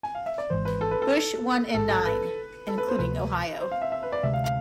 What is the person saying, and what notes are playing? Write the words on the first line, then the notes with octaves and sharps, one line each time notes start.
Bush won in nine, including Ohio.
G#5
F5
E5
D5
G#1 G#2 E3 C5
B4
A4
B4
A4
A1 G#2 G#3 A4
A4
B4
A4
B4
C5
D2 C3 F3 A3 B4
C5
F5
E5
E5
B4
D5
D2 C3 G#3 E5
F5
F5